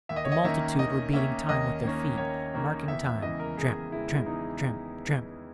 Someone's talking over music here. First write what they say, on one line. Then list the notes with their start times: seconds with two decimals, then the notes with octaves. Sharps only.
The multitude were beating time with their feet--marking time, tramp, tramp, tramp, tramp.
0.09 D#2 E5
0.16 D#5
0.25 C#5
0.32 D#5
0.44 D#3 A#3 C#4 E5
0.79 D#2 D#5
1.13 D#3 A#3 C#4 E5
1.49 D#2 D#5
1.83 D#3 A#3 C#4
2.18 D#2 C#5
2.54 D#3 A#3 C#4
2.87 E2 E5
3.05 E5
3.22 C#3 E3 G#3 D#5
3.40 A#4
3.57 E2 G#4
3.92 C#3 E3 G#3 E4
4.26 E2 D#4